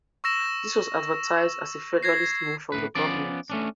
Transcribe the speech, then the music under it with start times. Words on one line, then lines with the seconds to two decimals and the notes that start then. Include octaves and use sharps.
This was advertised as a federalist move from the government.
0.24 C#6 E6 A#6 E7
2.03 G#6 A#6 C7
2.72 A2 B4
2.95 F3 B3 C#4 D5
3.50 A3 C#4 D4